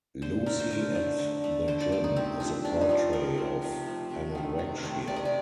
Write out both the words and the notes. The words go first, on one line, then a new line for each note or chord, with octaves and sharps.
"Lucy at the Gym" is a portrait of anorexia.
D3 C5
A3 A#4
C5
D3 A#4
A3
D3
A3
D3 C5
D5
A3 D5
D#4
C3 C4
F3 A3 D4
C3 D4
D#4
F3 A3
F4
C3 A#4
F3 A3
C3
F3 A3
C3
D#3 A3
C3
D#3 A3
C3 D5
D#5
D5